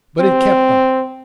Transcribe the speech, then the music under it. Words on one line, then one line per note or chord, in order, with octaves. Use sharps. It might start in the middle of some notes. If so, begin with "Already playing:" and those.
But it kept on.
C4